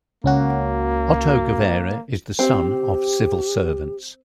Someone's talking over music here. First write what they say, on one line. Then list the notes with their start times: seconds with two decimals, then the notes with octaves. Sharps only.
Otto Guevara is the son of civil servants.
0.24 C#2 A#3 C#4 F#4
2.39 C4 G4